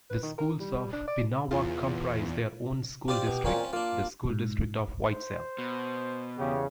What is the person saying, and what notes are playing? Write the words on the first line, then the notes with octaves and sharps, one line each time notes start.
The schools of Pinawa comprise their own school district, the School District of Whiteshell.
B4
D#3
A#4
G3
D4
D5
E2 F4
F4 G4 C5 D5
B2
A#2 C4 C#4 F4
A#3 D4 F4
G#2
C5
B2
E2 C#3 G4